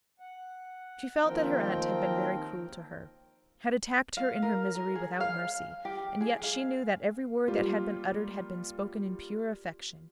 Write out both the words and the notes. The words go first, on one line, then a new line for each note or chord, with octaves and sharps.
She felt that her aunt had been very cruel to her,--had attacked her in her misery without mercy; and yet she knew that every word that had been uttered had been spoken in pure affection.
F#5
D#2 D#3 F3 C4 A#4 G5
F5
A#4
A#4
G#4
F5
G4
G#4
F5
G3 A#3 F4 G4